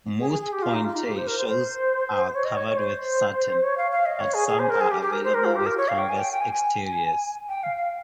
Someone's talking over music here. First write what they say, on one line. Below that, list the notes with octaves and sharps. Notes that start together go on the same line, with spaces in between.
Most pointe shoes are covered with satin, but some are available with canvas exteriors.
G#4
G#4
G#4
G4
F4
D#4
F4
D#4
G4
C5
A#4
C5
C5
C#5
D#5
C#5
C#5
C5
C#5
F5
F5
D#5
C#5
G#4
G#4
C5
A#4
G#4
G4
G4
A#4
C5
A#4
F4
G4
A#4
C#5
F5
G5
G#5
G5
G5
G#5
G#5
G5
F5
F5